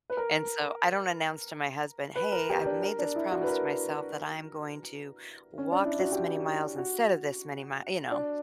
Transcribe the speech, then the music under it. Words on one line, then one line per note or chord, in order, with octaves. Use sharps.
And so, I don't announce to my husband, "Hey, I've made this promise to myself that I am going to walk this many miles instead of this many mi", you know.
B4
A#4
B4
A#4
G4
D4
A#4
D4
E4
F#4
B4
A#4
C#4
D4
E4
F#4
G4
F#4
D4